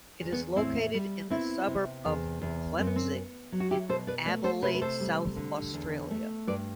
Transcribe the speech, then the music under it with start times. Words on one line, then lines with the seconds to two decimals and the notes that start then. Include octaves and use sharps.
It is located in the suburb of Klemzig in Adelaide, South Australia.
0.20 E2
0.32 B3
0.56 A2 C4 E4
0.94 G3
1.30 B3 C4 E4
1.67 C3
2.05 E2
2.42 E2
2.78 F#2 C4
2.87 B3
2.96 C4
3.15 B3
3.52 F#3
3.60 F#4
3.71 E4 G4
3.89 B2 A4 C5
4.07 B4 D5
4.26 A3 B4 D5
4.44 A4 C5
4.63 C3 G4 B4
4.74 B4
4.82 A4 C5
5.00 G3
5.36 D3
5.73 E2
6.11 A3
6.47 G2 B4 D5